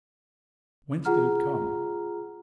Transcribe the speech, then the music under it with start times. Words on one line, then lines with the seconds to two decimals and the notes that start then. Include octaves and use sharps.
Whence did it come?
1.05 F4 G#4 F#5 A#5 F6